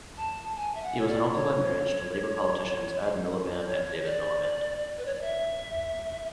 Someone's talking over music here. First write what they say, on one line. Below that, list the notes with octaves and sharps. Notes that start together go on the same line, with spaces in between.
He was an uncle by marriage to Labour politicians Ed Miliband and David Miliband.
A5
G#5
E5
F#5
C#5
D5
C#5
D5
C#5
D5
B4
C#5
D5
E5